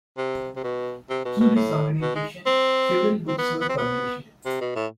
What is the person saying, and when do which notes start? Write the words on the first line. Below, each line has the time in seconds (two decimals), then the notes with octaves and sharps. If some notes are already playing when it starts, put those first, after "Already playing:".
Through this organization, several books were published.
0.17 C3
0.56 C3
0.64 B2
1.09 C3
1.25 B2
1.40 B2
1.56 A2
2.01 B2
2.16 G#3
2.46 C4
3.28 C4
3.38 B3
3.61 B3
3.69 C4
3.78 B3
4.46 C3
4.61 B2
4.76 A2